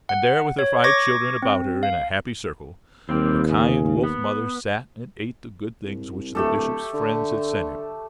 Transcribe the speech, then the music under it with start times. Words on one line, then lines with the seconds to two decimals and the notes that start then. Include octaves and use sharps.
And there, with her five children about her in a happy circle, the kind wolf-mother sat and ate the good things which the Bishop's friends had sent him.
0.09 F#5
0.59 C#5
0.84 C#6 D6 G#6 A#6
1.42 C4
1.83 F5
3.09 D#2 G3 A#3 C4
3.50 C#3
4.04 B3
5.86 C2
6.35 D1 A3 G4 A4
6.94 D3